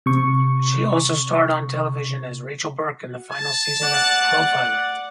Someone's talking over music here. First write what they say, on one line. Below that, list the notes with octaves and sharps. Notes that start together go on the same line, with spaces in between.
She also starred on television as Rachel Burke in the final season of "Profiler".
C3 C#6
A5
D5 F#5